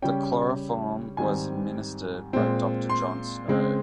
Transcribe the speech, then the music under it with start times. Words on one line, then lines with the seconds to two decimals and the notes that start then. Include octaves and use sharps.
The chloroform was administered by Doctor John Snow.
0.02 C#3 G3 C#4 G5
1.17 G#2 D#3 G3 C4 G#5
2.33 A#2 G#3 C4
2.90 C6
3.48 C#3 G#3 C4